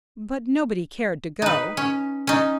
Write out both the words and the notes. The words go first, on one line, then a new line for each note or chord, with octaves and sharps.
But nobody cared to go.
D#4 B4
C#4
C#4 D#4